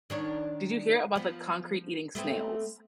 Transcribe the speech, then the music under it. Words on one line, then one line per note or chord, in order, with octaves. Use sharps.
did you hear about the concrete eating snails?
D#3 D4 C#5
F3 B3
A3 B3 C4